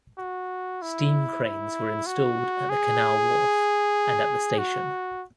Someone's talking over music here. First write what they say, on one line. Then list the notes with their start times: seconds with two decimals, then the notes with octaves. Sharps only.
Steam cranes were installed at the canal wharf and at the station.
0.18 F#4
0.82 E4
1.44 E4
2.06 F#4
2.69 G#4
4.58 F#4